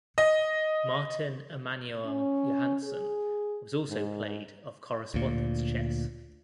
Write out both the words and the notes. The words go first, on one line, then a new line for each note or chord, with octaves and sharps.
Martin Emanuel Johansson was also played of correspondence chess.
D#5
C#4
G#4
G#2
D2 A#2